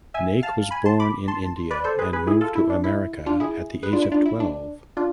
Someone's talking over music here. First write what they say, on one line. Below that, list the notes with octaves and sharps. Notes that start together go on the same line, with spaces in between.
Naik was born in India and moved to America at the age of twelve.
E5 G#5
F5 A5
G#5 B5
A5 C6
B5 D6
A5 C6
B4 D5
A4 C5
G#4 B4
G#4 B4
E4 G#4
F4 A4
E4
D4
E4
D4 F4
E4 G#4
G#4 B4
D4 F4
E4
D4 F4
E4
D4
D4 F4